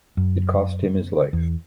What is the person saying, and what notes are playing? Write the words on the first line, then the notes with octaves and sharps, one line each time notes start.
It cost him his life.
F#2
E2